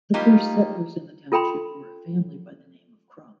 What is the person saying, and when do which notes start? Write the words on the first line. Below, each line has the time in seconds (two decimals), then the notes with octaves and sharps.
The first settlers in the township were a family by the name of Krum.
0.14 G3 A#3 D#4 F4 G4
1.32 F4 A4 G5 B5 C6